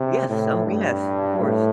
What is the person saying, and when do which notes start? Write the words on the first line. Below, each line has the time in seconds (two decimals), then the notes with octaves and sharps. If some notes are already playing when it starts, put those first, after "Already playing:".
Yes. Oh, yes. Of course.
Already playing: C3
0.29 A2
0.66 G2
1.40 A2